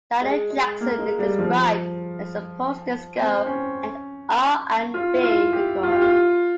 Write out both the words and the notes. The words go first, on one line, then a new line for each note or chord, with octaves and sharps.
"Janet Jackson" is described as a post-disco and R and B record.
G#3
G#3
A#3
G#3
G3
F3
C4
C#4
F4
E4
F4
G4
F4
G4
F4